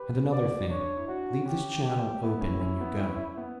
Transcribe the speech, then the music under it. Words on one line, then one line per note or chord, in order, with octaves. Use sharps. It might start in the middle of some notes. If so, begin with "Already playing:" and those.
And another thing, leave this channel open when you go.
Already playing: G4 B4
F#4 D5
D4 C#5
E4
D4 F#4
C#4 G4
G4
B3 E4
C#4
C#4
B3
C#4
B3